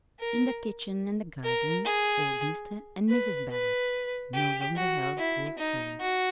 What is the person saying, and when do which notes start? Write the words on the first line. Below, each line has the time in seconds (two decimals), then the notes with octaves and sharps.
In the kitchen and the garden old Mr. and Mrs. Barrett no longer held full sway.
0.19 A#4
1.43 A#4
1.85 G#4
3.09 B4
3.51 B4
4.34 G4
4.75 F#4
5.18 E4
5.58 D#4
6.00 F#4